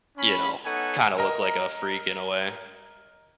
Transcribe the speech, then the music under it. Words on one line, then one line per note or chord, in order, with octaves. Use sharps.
you know, kinda look like a freak, in a way.
C#4 B5
B3 D#4 A4 C#5 F#5 G#5
A#4 D#5 A#5